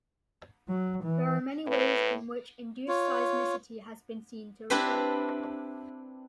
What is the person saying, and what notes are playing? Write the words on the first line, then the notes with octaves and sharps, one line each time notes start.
There are many ways in which induced seismicity has been seen to occur.
F#3
E3
A2 B4
F4 C#5
C4 D4 E4 G4 B4 C5